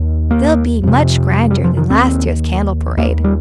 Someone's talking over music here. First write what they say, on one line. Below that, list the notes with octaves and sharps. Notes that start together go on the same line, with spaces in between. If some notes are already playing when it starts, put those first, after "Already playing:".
They'll be much grander than last year's candle parade.
Already playing: D#2
A#3
F2 C3
G3
F3
D#3
D#2 C4
D#2 A#3
G3